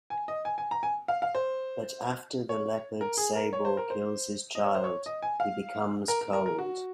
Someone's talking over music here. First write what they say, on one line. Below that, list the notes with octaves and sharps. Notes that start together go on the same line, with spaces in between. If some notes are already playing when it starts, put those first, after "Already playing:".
But after the leopard Sabor kills his child, he becomes cold.
G#5
D#5
G#5
G#5
A#5
G#5
F5
F5
C5
C#5
A#4
G#4
A#4
C#5
C5
A#4
C5
D#5
C#5
C5
C#5
D#5
G#5
F5
A#4
A#4
A#4
A#4
F#4